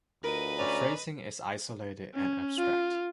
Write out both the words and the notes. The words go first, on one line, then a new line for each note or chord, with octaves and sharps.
The phrasing is isolated and abstract.
D2 F4 A#4 B4 D#5
C#4 D5 A#5
C#4
F4